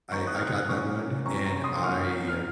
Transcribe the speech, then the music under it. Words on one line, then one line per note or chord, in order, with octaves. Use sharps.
I I got that one and I
F#3 C4 D#4 A#5 C#6
D#6 F#6
F6
D#6 F#6
D#6 F#6
A#2 F#3 C#4 F#4 C#6 F6
C3 F#3 C#4 A#5 C#6
A#5 C#6
C6 D#6
D#3 F#3 A#3 C#4 F4 C#6 F6
F6